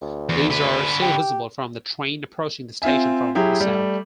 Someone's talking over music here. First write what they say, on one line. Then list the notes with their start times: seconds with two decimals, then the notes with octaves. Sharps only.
These are still visible from the train approaching the station from the south.
0.02 D2
0.29 E2
0.50 D3 B4
1.02 G4
2.82 C4 F4 E5 G#5
3.35 F#3 E4 G4 G#4
3.60 G3 A3